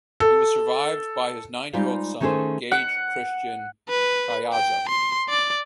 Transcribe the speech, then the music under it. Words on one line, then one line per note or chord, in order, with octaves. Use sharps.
He was survived by his nine-year-old son, Gage Christian Caiazzo.
A4
G3 G#3 D#4 F4 C5 F5
D#3 A3 C#4 G#4 A4 C5
F#5
B4
G5
C6
D5